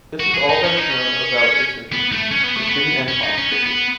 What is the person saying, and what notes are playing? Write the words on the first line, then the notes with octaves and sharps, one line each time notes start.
This is all that is known about this interview, which didn’t end positively.
F#4
G#4
D#4
C#4
D#4
C#4
B3
A3
C#4
B3
A3
B3
C#4
D#4
C#4
B3
B3